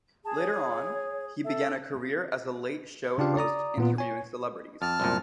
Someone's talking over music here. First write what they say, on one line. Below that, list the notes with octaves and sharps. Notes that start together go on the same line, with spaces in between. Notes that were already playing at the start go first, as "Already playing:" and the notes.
Later on, he began a career as a late show host interviewing celebrities.
G#4 A5
C#5
A4 E5
C#3 D4 F4 G4 F5
D5 A#5 D#6
A#2 B3 F4
C#5 G#5
F2 A5 F6
C2 F#2 A#2